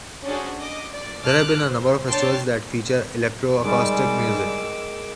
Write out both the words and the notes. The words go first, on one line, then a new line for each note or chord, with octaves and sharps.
There have been a number of festivals that feature electroacoustic music.
C#4 D4 F#4 G#4 A4 C5
D#5 D6
D5
A5 D6 F6 F#6
C5
D4 C#5 G5 A5 C6
D#3 G3 G#3 G#4 D6 E6